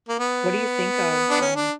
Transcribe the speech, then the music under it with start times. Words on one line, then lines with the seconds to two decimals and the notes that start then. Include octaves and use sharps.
What do you think of, um
0.09 A#3
0.19 B3
1.30 D4
1.41 C#4
1.56 D4